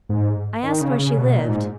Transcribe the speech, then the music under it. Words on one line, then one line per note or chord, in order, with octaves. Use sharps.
I asked where she lived.
G#2
D#3
C#3
C#3
B2
A#2
G#2